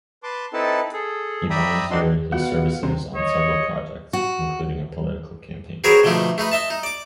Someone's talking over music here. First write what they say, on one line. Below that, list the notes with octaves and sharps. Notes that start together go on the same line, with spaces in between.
He volunteered his services on several projects, including a political campaign.
B4 A5 C6 D6
C4 D#4 E4 A4 B4 A5
G#4 A4
D5 E5 G5 A#5 B5 D#6
C4 D4 D#4 F#4 D5 C6
B2 F4 F#5 F#6
C3 C4
C#5 D#5
F#4
C4 F#4 G#4 A#4 B4 C#5
B2 D3 F3 A3 D#4
A3 D#4 B4
D#5 E5 A5
D#4
D5 D6